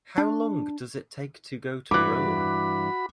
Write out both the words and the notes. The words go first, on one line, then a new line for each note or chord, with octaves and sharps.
How long does it take to go to Rome?
D4
G2 E3 F#4 B5 D6 F#6